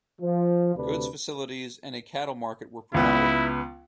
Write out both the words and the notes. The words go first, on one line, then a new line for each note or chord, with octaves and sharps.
Goods facilities and a cattle market were provided.
F3
D2 C3 D4 B4
C#2 B3 E4